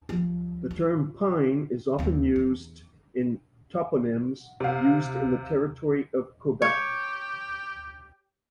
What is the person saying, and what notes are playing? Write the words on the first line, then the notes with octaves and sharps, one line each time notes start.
The term "pine" is often used in toponyms used in the territory of Quebec.
F3 G3
F4
D#2 C4
E2
C3 F5
G4 C#5